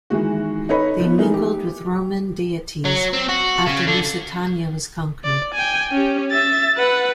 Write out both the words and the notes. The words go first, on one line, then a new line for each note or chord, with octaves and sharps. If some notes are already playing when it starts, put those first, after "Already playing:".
They mingled with Roman deities after Lusitania was conquered.
D#3 E3 G#3 F#4
D#4 A4 B4 C#5 D#5 B5
F3 B3
E3 A3 D#4 G#4 A#4
G4
F#3
C4
F#4
C#3
D3
D5
G5 G#5
C#4 G4
E5 A6
B4 F#5